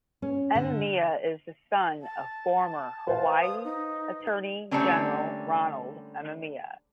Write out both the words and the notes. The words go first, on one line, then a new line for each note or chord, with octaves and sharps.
Amemiya is the son of former Hawaii Attorney General Ronald Amemiya.
C#4
D3
A5
B4 C5 F5
D#6
D#4
D3 G3 A3 A#3 C4 C#4